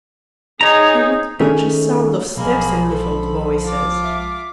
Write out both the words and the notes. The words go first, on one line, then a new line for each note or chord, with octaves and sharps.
He would catch a sound of steps and muffled voices.
D#4 G#4 C#5 A#5
D#3 A3 C#4 G#4
B1 F3 G#3 A#3 G#4 B5
A4 B5
F4 D6
E5